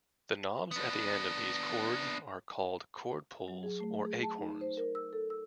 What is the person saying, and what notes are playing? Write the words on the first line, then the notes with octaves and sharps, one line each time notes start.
The knobs at the end of these cords are called cord pulls or "acorns".
B3 D4
F#3
G#4
A3
G#4
A5
D#4
C5
A#4
E6
A4
E6